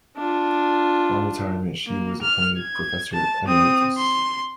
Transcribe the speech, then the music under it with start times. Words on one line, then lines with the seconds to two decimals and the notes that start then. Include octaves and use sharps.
On retirement, she was appointed Professor Emeritus.
0.16 D4 F4
1.87 A#3
2.22 F6
2.59 G#6
3.13 A5
3.46 C4 D#6
3.98 C6